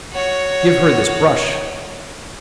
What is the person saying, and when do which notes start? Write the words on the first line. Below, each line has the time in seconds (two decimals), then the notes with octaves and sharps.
Give her this brush.
0.12 F#4 C#5